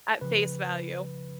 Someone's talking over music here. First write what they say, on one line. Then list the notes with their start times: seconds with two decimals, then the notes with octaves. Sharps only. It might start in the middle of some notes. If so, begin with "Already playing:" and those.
At face value.
0.21 C#3 F3 B4